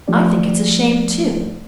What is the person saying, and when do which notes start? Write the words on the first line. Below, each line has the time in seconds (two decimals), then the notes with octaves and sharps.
I think it's a shame, too.
0.08 F3 A3 C#4 G4 D5